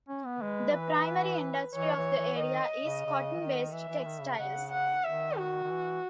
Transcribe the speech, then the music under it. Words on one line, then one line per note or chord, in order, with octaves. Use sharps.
The primary industry of the area is cotton-based textiles.
C#4
B3
G#3 B4
E3
E3 C#5
E3
E3
D#3 D#5
C#3
C#3
E3
D#3
E3 E5
E3
D#3
C#3
C#3 F#5
F#5
D#3 E5
F#4
D#3
E3